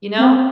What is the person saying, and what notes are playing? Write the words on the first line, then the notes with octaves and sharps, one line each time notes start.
you know,
C4